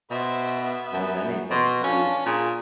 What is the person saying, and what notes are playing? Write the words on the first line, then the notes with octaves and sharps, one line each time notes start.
I mean, anything free.
B2 C5 E5
B3 E5
F#2
B2 C6
C#4 D4 F5
A#2 G#4